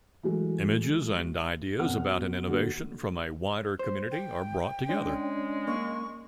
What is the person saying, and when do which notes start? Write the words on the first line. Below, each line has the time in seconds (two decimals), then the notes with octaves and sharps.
Images and ideas about an innovation from a wider community are brought together.
0.23 E3 F#3 G#3 A3
1.79 E1 C2 F#5 F6
2.09 B2
2.47 A#2 D3 F#4
3.79 C5
4.11 G5
4.89 G#3 C#4 D4
5.67 A#3 C#6